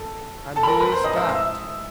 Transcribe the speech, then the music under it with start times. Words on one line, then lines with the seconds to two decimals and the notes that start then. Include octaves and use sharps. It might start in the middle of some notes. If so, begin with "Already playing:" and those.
And who is that?
Already playing: A4
0.56 A4 A5
0.63 B5
0.67 A#4 A#5
0.80 B4 B5
0.92 C5 C6
1.04 D#5 D#6
1.16 E5 E6
1.29 E5 E6